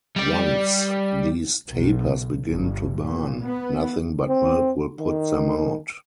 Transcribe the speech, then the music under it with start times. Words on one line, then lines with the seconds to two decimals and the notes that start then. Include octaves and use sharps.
Once these tapers begin to burn, nothing but milk will put them out.
0.16 G3 D5
1.68 B1
2.50 G1
2.98 A#2
3.42 B3
4.29 C4
4.99 D#3